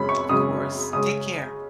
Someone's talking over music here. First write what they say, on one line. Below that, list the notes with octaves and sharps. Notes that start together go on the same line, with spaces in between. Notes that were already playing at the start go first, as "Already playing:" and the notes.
Of course. Take care.
Already playing: F#2 C#3 G#3 C#4 B5
C#6
F#2 C#3 G#3 C#4 D#6
C#3 G#3 C#4 D#6